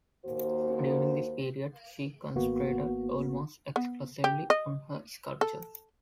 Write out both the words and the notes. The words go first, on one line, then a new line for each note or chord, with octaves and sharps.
During this period she concentrated almost exclusively on her sculpture.
D#2 A#3 F#4 C5
G#1 A#3 B3 F#4
B3
G4
D#5
A4